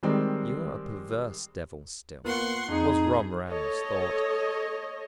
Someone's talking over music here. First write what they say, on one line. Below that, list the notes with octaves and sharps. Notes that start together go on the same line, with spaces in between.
"You're a perverse devil still," was Romarin's thought.
D#3 G3 G#3 C4
A#3 B3 F4 F#5 C6 C#6
F2 D#4 G#4
A4 C#5 D#5